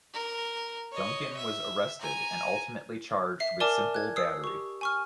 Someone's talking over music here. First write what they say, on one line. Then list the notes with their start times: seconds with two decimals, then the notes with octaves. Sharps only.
Duncan was arrested and ultimately charged with simple battery.
0.14 A#4
0.92 C#5 D#5
1.36 E5
2.01 G#5 A#5
3.40 E5 C7
3.60 A#4 D5 G#5 A5 D6 F6
3.95 F#6 G#6
4.16 D#6 E6 C7
4.44 G4 C#6
4.81 G#5 C#6 F6